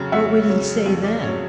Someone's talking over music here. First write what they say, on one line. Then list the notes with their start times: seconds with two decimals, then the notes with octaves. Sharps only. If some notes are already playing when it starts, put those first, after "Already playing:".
What would he say then?
Already playing: F2 C#3 F#3
0.12 F2 E5 F#5
0.49 C#3 F#3
0.86 F2
1.04 D5
1.22 C#3 F#3 C#5